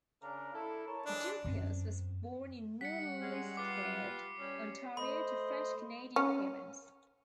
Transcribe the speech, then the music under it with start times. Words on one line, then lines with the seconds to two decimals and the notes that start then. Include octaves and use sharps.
Dupuis was born in New Liskeard, Ontario to French-Canadian parents.
0.22 C#3 D4 A#4
0.53 E4 A4
0.87 A#4 C#5 A5
1.06 E3 G#3 D4
1.44 F#2 C4
2.81 G3 F#5 B6 C#7
3.20 G#3 C#4
3.57 F4 G4 B4 D6 C7
4.39 G3 C#4
4.97 A3 C5 D#5 B5
6.16 C#4